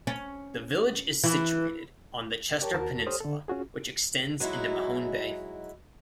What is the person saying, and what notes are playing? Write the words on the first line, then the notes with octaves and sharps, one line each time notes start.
The village is situated on the Chester Peninsula, which extends into Mahone Bay.
C#4
E3
G4 A#4 C#5 G5 A5
D#2 F#4 A#4 A5
G4 A4 C5 C#5 D#6 F6
D3 A4
C#4 F4 F#4 G#4
F#3 G#3 D#4 E4 F#4